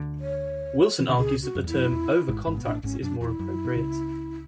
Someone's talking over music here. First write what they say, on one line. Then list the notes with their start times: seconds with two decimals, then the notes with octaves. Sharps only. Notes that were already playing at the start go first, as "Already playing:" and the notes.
Wilson argues that the term "overcontact" is more appropriate.
Already playing: D2 D3
0.20 C#5
1.00 E3
1.09 D3
1.18 C#2 C#3 G#4
1.42 F#4
1.55 F#2
1.64 E2 E4
1.73 F#2
1.92 E2
2.28 G#1 G#2
2.47 G#1 G#2
2.57 B2
2.65 A1 A2 D4
2.83 G#1 G#2 C#4
3.02 F#2 D4
3.20 E2 E4 F#4
3.39 F#2
3.65 B2
3.76 C#2 C#3